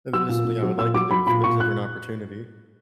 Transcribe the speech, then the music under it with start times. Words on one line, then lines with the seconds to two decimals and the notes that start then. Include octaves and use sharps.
and that is something I would like to do if there's ever an opportunity.
0.13 F#3 E6
0.29 A#2
0.45 A#2
0.62 F#3
0.78 A#2 E6
0.94 F#3 D6
1.11 F#3 B5
1.27 A#2 B5
1.44 A#2 C#6
1.60 A#2 F#6